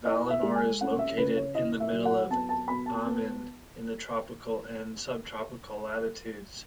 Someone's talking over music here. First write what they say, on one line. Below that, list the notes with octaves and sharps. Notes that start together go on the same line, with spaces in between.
Valinor is located in the middle of Aman, in the tropical and subtropical latitudes.
E4 D#5
E5
G#3
G#5
C#4 F#5
E5
C#3 B4
C#5
E4 D#5
E5
F#3
F#5
B3 A5
A5
B2 B5
A5
B3